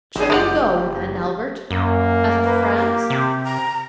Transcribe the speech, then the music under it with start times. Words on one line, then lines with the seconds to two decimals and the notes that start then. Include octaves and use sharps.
"Shall you go, then, Albert?" asked Franz.
0.16 G#1 B2 F#3 G#4
0.30 F#1 G#3 G4 D5 F#5
1.71 F#2 A#3
2.43 B4
2.78 G4
3.10 C3
3.44 A#5